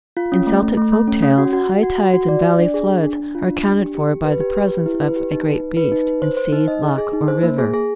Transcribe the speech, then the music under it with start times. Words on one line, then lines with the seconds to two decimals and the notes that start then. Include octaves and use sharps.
In Celtic folk tales high tides and valley floods are accounted for by the presence of a "great beast" in sea, loch, or river.
0.17 F4
0.32 C#4
0.47 A3
0.63 A3
0.77 A3
0.92 A3
1.08 C#4
1.22 C#4
1.38 F#4
1.53 F#4
1.68 F#4
1.83 F#4
1.98 F#4
2.14 F#4
2.29 D5
2.44 D5
2.59 D4
2.74 G#4
2.89 D4
3.04 D4
3.20 D4
3.35 F4
3.50 D4
3.65 D4
3.80 G4
3.95 G4
4.10 G4
4.25 B4
4.40 G4
4.55 B4
4.71 G4
4.86 E4
5.01 B4
5.16 G4
5.31 D#4
5.46 B4
5.61 D#4
5.77 B4
5.92 D#4
6.07 B4
6.22 C5
6.37 C5
6.52 D#4
6.68 D#5
6.83 G#4
6.98 G#4
7.13 D#4
7.28 C5
7.43 A#3
7.58 G#4
7.74 G#4